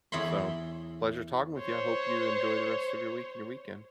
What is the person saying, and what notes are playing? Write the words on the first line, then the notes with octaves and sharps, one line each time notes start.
So, pleasure talking with you; I hope you enjoy the rest of your week and your weekend.
E2 E4 C#5 B5 C6
C5 C#5